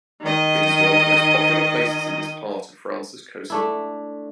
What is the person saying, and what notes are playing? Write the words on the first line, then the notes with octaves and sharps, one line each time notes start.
It is one of the most popular places in this part of France's coastline.
D#3 D#5
A3 D4 E4